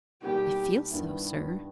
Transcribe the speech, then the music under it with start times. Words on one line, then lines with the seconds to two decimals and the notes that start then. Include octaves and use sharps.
"I feel so, sir."
0.22 B2 G3 A#3 D#4 G4
0.90 G2 D#3 G3 B3 E4